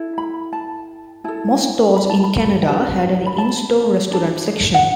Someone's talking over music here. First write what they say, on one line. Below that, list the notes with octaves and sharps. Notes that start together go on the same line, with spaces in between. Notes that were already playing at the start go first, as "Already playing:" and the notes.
Most stores in Canada had an in-store restaurant section.
Already playing: E4 A4
B5
A5
E4 A4 A5
B5
A5
B5
G5
D4 G4 B4 A5
B5
A5
D4 A4
F#5